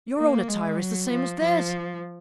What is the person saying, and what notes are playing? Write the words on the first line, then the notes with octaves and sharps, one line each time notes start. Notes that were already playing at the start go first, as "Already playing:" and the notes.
Your own attire is the same as theirs.
A#3
G#3
F#3
F3
F3